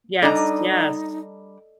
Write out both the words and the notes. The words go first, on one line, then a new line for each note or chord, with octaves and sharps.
Yes, yes.
G3 D4 D#4 A4 D5 D#5 A#5